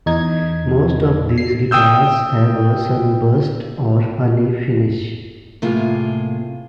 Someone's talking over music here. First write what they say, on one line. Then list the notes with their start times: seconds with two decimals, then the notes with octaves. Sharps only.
Most of these guitars have a sunburst or honey finish.
0.06 E2 D#4 G#6
1.38 C7
1.71 G5 D#6 E6 G6
5.62 A2 C3 A#3 F4 G#4